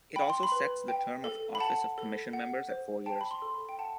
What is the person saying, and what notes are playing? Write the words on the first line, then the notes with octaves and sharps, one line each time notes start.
It also sets the term of office of Commission members at four years.
G5 B5
C6
B5
B4
G5
A4
B5
F#5 A5
A4
F#5
C5
G5 A5
B5
C6
A4
B5
G5
F#5 A5